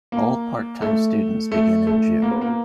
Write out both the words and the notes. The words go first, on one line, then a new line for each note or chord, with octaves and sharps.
All part-time students begin in June.
A#3
A3
A3
A3
A#3
B3
A#3